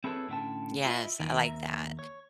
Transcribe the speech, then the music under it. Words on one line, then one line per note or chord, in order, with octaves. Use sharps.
Yes, I like that.
C4 E4 G#4 A4 B4 C#5
A2 D3 C#4 F#5 G5 A5
E4 F4 D#5 E5
D#2 D#3
D#2 E5 A#5
C#5